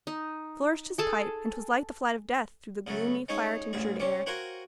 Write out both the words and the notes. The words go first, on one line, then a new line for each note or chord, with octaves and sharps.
He flourished his pipe, and 'twas like the flight of Death through the gloomy fire-tinctured air.
D#4
G#4 A4 A5
C#3 F#3 A3
G#3 C#4 D#4 C#5 F5
A1 D2 G#4
C3 C#4 D6
F#4 A#4 C5 F5 G5 G#5